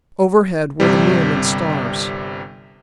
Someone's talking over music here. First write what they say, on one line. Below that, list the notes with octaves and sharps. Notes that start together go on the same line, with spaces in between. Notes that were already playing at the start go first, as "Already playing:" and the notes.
Overhead were the moon and stars.
G1 C3 G3